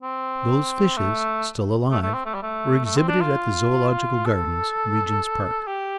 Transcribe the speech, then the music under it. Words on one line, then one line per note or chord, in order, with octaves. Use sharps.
Those fishes--still alive--were exhibited at the Zoological Gardens, Regent's Park.
C4
A3
A3
A3
C4
A3
G3
A3
A3
C4
D4
F4
A4
G4